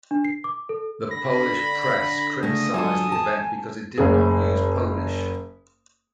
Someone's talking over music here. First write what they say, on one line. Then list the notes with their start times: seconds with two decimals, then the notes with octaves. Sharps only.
The Polish press criticized the event because it did not use Polish.
0.11 D4
0.25 C7
0.44 D6
0.69 A4
1.11 D3 B5 A#6
2.43 C#3 A3 D#6
2.74 F#3 F4 A4 G#5
3.12 A5
3.98 F#1 G#4